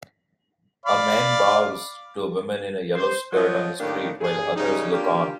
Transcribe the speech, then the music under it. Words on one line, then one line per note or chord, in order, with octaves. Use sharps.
A man bows to a woman in a yellow skirt on the street while others look on.
D5 F5 B5
C5
F3 F#3 D#5
A2 D#3 A#3 D4 D#4 G4
G2 G#4
C#3 G3 G#3 D#4
A#3 D4 F4 G4